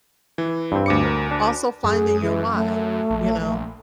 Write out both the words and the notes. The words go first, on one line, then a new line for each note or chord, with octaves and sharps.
Also finding your "why," you know?
E3
G2 C4
D2 D6 C#7
A#4
D4
F#2 G#4
E3
A3
A#1